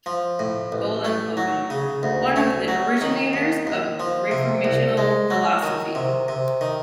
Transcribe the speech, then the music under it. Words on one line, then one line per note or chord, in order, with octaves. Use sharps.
Vollenhoven, one of the originators of Reformational philosophy.
F3
A2
A1
A3
F#3
C#3
D2
A3
F#3
D#3
D#2
D#2
F3
C3
C2
G#3
F#3
D#3
C3
C3
D#3